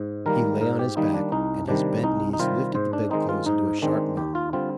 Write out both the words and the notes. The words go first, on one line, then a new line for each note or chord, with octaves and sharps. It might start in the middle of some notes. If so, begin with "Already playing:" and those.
He lay on his back and his bent knees lifted the bed-clothes into a sharp mountain.
Already playing: G#2
D#3 G3 A#3 A#4
G#2 A#4
G4
D#3 G3 A#3 D#4
D4
C2 D#4
C3 D#3 G3 D4
C2 D#4
D#4
C3 D#3 G3 F4
G#2 C5
D4
D#3 G#3 C4 D#4
F4
G#2 D#4
D#3 G#3 C4 D4
D#2 G4
F4
D3 G3 C4 F4